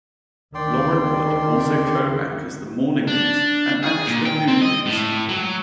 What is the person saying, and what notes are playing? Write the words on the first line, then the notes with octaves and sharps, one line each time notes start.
Lauren Wood also co-anchors the morning news and anchors the Noon news.
D2 D#3 D5 G5 C6
D4
G#4
A#2
G5
C4
D#5
A2
F#3